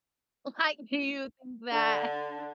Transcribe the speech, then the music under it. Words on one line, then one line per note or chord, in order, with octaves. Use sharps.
Like, do you think that
D3